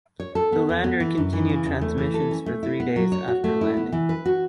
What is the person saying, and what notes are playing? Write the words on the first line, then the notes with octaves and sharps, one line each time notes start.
The lander continued transmissions for three days after landing.
C#5
A4
B3
E2
B3
E3
F#2
E3
C#3
E2
A3
E3
A4
C#4
A3
E4
B3
F#3
C#5
F#4
A3
E4
B3
E3
B4
F#4